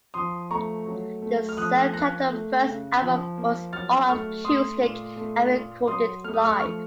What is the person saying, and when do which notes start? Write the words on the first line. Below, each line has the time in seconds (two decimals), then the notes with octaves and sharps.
The self-titled first album was all acoustic and recorded live.
0.14 F3 C6 D#6
0.51 A3 A#5 C#6
0.86 F#3
1.22 A3
1.49 F6
1.57 F3 D#6 F#6
1.94 A#3 F#6 A#6
2.29 A3
2.65 C#3
3.02 F3
3.38 A#3
3.73 F#3 F6 A6
4.08 A3 C#6 F6
4.44 A3 C6 D#6
4.81 A#2
5.16 A3
5.52 A#2
5.87 F#3 C6 D#6
6.24 A3 F6
6.34 D#6
6.44 C#6 F6
6.59 F3 C#6 F6